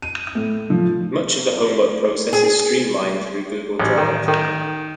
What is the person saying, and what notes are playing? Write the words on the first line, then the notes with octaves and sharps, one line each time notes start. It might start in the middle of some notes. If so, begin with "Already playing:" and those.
Much of the homework process is streamlined through Google Drive.
D#7
A2
F3
G#4
A1
D#3
D#3